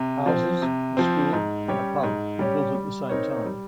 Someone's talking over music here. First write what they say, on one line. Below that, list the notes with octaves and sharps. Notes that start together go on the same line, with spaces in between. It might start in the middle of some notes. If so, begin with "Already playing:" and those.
Houses, a school and a pub were built at the same time.
Already playing: C3
F3 C4
C3
F3 C4
G#2
G3 C#4 G4 C#5
G#2
G3 C#4 G4 C#5
G3
C4 D#4 A#4 C#5
G3